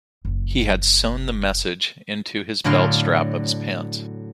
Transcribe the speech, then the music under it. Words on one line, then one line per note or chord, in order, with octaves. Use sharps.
He had sewn the message into his belt strap of his pants.
F#1 C#3
A2 D3 F#3 F5 C6